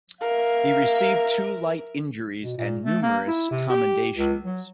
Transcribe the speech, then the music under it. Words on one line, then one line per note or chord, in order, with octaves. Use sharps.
He received two light injuries and numerous commendations.
A#4 E5 F5
B2
A#2
A3
A#3
E4
C3
G4
C#2
F#3